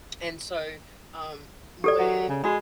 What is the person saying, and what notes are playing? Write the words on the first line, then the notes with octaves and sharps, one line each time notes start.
And so, um, when
G4 A4 D5
F#3
C#3
G#3 F#4 B5